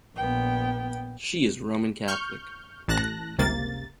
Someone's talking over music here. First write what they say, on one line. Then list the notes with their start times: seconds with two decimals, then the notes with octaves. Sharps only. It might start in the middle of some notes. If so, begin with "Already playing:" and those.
She is Roman Catholic.
0.17 A#1 B3 G5
2.08 C#6 F6 G6
2.88 A1 A5 F#6 A#6
3.38 G1 C#2 C3 A#3 A6